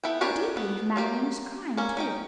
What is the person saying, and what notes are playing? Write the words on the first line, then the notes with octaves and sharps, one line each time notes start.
I do believe Marian is crying, too.
B3 E4 A4 G5
C#4 D4 G4 A#4 C#5
B3
F#3 A#3 G4
A#3 C#4
C#4 D#4 G5